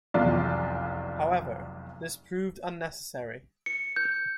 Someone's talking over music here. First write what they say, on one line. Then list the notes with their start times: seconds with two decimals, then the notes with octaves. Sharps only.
However, this proved unnecessary.
0.14 F1 B1 E2 F4 D5
3.66 C#7
3.96 G6